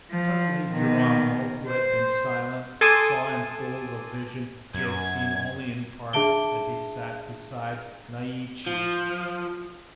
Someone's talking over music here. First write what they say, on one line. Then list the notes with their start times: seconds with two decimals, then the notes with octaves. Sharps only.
Suddenly Geronimo, who had been silent, saw in full the vision he had seen only in part as he sat beside Naiche.
0.10 F3
0.70 B2 D#3
1.67 C5
2.81 A4 G#5 A5 C6 D6 D#6
4.74 F#2 G#6
6.13 D4 G#4 E5 A5 D7 G7
8.66 F3